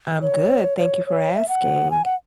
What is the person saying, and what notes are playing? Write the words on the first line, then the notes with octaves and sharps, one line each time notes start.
I'm good, thank you for asking.
C#5
C#5
C#5
E5
F#5
G#5
F#5